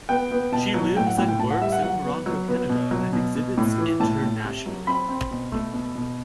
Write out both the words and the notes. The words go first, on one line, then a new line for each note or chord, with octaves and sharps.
She lives and works in Toronto, Canada and exhibits internationally.
B3 G5
B3
B2 A5
F#3
A2 G5
F#5
A2 G5
G5
A2 A5
F#5
G3 E5
F#5
F#3 F#5
B3
F#3
B3
B2
F#3
B2
B2
A2
E3
A2 A5
A2
C3
F#3
C4 B5
C4
B2
A3
B2
B2